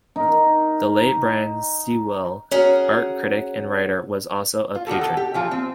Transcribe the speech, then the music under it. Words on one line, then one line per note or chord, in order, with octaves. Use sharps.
The late Brian Sewell, art critic and writer, was also a patron.
D#4 A#4
C#4 F#4 G#4 A#4
F4
D#3 F#4 G4 A4
A4
G4
E3 F3 F4
C4